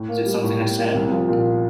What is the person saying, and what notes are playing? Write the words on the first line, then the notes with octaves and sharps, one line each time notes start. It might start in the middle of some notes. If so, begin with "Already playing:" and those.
Is it something I said?
Already playing: A2
A#3
G3
A2
A2
A#3
C2
F3
A#2